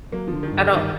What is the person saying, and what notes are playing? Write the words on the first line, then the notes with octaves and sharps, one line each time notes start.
I don't
F#3 A#3
F3
D3
D#3
G2
D3
G2 D#3